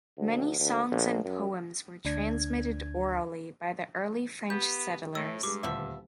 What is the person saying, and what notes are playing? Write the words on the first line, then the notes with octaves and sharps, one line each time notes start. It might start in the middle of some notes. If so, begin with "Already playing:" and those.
Many songs and poems were transmitted orally by the early French settlers.
D2
D2
A#1
F#2
D2 D4 G#6
B3 G4 G6
A2 A3 E6
G2 G3 G#3 D6
D#1 D2 F3 B3 E5